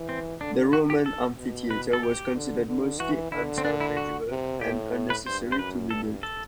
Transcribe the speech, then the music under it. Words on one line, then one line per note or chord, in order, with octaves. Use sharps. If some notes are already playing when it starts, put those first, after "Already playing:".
The Roman amphitheatre was considered mostly unsalvageable and unnecessary to rebuilt.
Already playing: E3
C4
D3 D4
F#4
G4
A4
B2
B4
A4
G4
D3
D3
E3 F#4
D3 E4
C4
D4
E4
F#4
C3
A2 G4
B4
G2 C5
C5
F#2 B4
G2 A4
A4